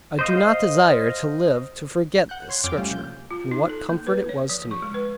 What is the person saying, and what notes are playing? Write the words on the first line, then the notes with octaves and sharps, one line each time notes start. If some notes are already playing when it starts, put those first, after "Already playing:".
I do not desire to live to forget this Scripture, and what comfort it was to me.
C5 D#5 F5
F#5 F#6 G6
C#5 C6 G#6
F2 C#4 G5 D6 F6
F3 G3 A3 C#4 F4
C2 A#2 G6
F4
D#4
A4
A#3
B4
C#5
F3
C#6
G#3
B4